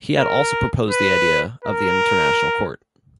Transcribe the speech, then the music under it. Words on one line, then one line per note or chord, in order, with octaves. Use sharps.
He had also proposed the idea of the International Court.
A#4
B4
A#4